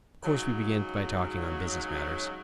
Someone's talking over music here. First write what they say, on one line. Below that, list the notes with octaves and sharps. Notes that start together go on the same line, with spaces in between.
Of course, we began by talking on business matters.
G#2 C#3 F#3